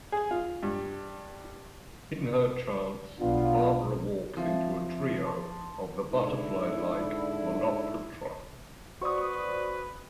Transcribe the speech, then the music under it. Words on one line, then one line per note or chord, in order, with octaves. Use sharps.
In her trance, Barbara walks into a trio of the butterfly-like Menoptra.
G#4
F4
G2
B1 B3 D4 F4
F3 C4 E5
A5 C6
G#2 D3 E4
F#4 B4 C5 D5 C#6 D#6